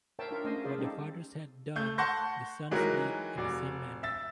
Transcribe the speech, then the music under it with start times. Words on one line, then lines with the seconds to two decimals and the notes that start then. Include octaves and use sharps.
What the fathers had done, the sons did in the same manner.
0.19 A#4 C5 C#5 E5 G5 A5
0.31 D4 F4 A#4 E5
0.45 A3 C#4 C5 D#5 G#5
0.64 F4 G#4 C5 D5 E5
0.78 G3 C4 C#4 D#4 G4 A4
1.76 A3 G6
1.98 F#5 A5 C6 C#6 G6 A#6
2.71 D#3 E3 F#3 G#3 F#4 A#4
3.37 F1 F#4 D5
4.03 E5 E6 A6